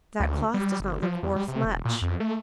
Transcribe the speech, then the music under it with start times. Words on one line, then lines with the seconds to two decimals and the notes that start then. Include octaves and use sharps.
'That cloth does not look worth much!'
0.20 D2
0.54 G3
0.80 G1
1.02 F3
1.23 E2
1.36 G3
1.48 C3
1.65 E1
1.85 A#2
2.01 F2
2.20 A3